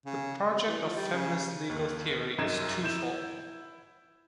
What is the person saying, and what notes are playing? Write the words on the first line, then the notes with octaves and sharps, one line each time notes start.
The project of feminist legal theory is twofold.
C#3
C3
E3
F3
G3
C#3
D#2 D#3 A#3
C2 F#2 C4 D#4 G#6 E7
E4 G6 E7